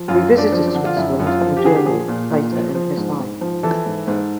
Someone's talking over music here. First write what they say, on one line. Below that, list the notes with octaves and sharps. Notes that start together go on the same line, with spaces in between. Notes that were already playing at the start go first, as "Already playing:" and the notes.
He visited Switzerland and Germany later in his life.
Already playing: F3
F#2 F4
F#2
D4
F3
D4
D3
F4
F#2 E4
F#2
F4
F3
G4
D3 G#4
G4
F3 G#4
A#2
A#2
F3
F3
G#2
G#2
F3
E3 A4
G#2
G#2